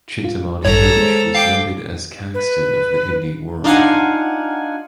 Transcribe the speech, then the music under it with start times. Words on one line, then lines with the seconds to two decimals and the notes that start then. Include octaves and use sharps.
Chintamani Ghosh was noted as Caxton of the Hindi world.
0.24 F4
0.65 A1 G2 A4 C#5 A#5
0.97 G#3 C5
1.35 F5 G5 D6
2.34 B4
3.64 D4 D#4 F4 F5 F#5 G#5